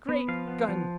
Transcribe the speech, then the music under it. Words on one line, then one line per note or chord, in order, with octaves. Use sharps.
Great guns!
B3
F3 F5
B3
F3